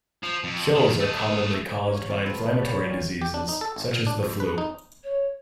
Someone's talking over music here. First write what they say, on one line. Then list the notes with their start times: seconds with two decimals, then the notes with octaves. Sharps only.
Chills are commonly caused by inflammatory diseases, such as the flu.
0.23 F3
0.44 F2
0.75 E2 D#3
1.00 A3 D#5
1.85 C#4 C#5
2.07 E3 C4 F4 D5
2.26 A3 B3
2.55 F#4 C#5 D5 A5 B5
2.68 A#4 F#5
2.88 A#2
3.21 G4
3.34 D4
3.49 D#4
3.61 A4
3.76 G#1
3.91 A#2
4.07 D4
4.23 F2
4.40 B4
4.58 D#4
5.03 C#5